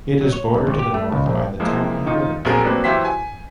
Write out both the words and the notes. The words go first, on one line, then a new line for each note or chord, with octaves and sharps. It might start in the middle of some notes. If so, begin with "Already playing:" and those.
It is bordered to the north by the Tama River.
F#3
C#5
B1
G#1
G4
A3
C#2
A#1
E3 F3 G#3 A#3 E4
D#3 D#4 F4
A#1 F#3 C4 G#4 A#4
F#3 A#3 C4 D4 F#4 B4
E3 F#3 E4 G4 C5 B6
G#5